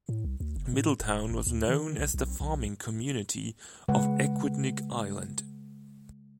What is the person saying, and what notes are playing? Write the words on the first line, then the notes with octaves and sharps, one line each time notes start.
Middletown was known as the "farming community" of Aquidneck Island.
A2
C2
D2
F#1
A2
D#1
G#1
D2
D#3
B1
B1
B1
C#3 G#3 B4 F#5